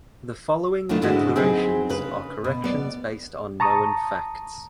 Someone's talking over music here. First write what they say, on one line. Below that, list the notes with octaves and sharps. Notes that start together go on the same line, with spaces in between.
The following declarations are corrections based on known facts.
D#3 A3 D4 E4 F4
G#2 D3 G#3 E4 F#4
F#3 C4 D#4 G#4 B4
C#3 B4
B2
B3 D5
A5 A#5 C#6 D#6